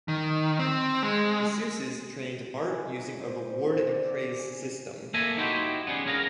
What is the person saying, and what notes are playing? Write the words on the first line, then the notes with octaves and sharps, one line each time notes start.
The Seuses trained Bart using a reward and praise system.
D#3
C4
G#3
G#5
D#4
D4
C5
C4
C5
D5
D4
G#5
A#3 A4 E5 G#5 A#5
D#4 E4 F#4 G4 C5
B3 C#4 D4 G#4
C#4 G#4 A#4 F5 A#5